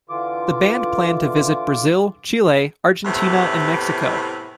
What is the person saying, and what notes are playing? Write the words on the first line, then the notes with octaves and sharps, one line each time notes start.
The band planned to visit Brazil, Chile, Argentina and Mexico.
D3 E3 F4 D6
E2 A2 C3 E3